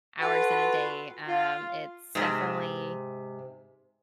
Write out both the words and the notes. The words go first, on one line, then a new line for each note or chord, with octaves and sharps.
hours in a day. Um, it's definitely
F4 F#4 A4 B4
F4
G#2 C3